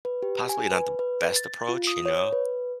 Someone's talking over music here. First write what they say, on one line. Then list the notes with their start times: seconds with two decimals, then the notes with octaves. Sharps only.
possibly not the best approach, you know,
0.05 B4
0.23 G4
0.49 G#5
0.71 B4
0.99 B4
1.36 A6
1.69 F4
1.87 D#6
2.06 C#5
2.33 B4